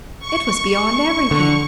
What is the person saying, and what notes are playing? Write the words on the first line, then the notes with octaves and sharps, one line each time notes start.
It was beyond everything.
C#6
D3